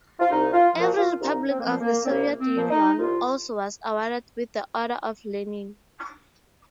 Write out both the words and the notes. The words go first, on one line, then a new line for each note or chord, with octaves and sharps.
Every republic of the Soviet Union also was awarded with the Order of Lenin.
F4
C2 D#4
F4
A#2 F3
F4
C2 D#4
C4
A#3
A#2 F3 C4
A#3
C4
C2 A#3
C4
A#2 F3
D#4
C2 F4